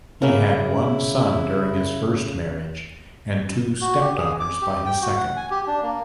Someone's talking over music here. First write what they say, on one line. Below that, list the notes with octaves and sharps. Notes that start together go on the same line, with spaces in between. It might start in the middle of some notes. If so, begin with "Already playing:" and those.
He had one son during his first marriage; and two step-daughters by his second.
C#3 A#3 E4
F#4
G4
G#4
D6
G4
G5
F#4
F#5
G#5
G4
D4
A#3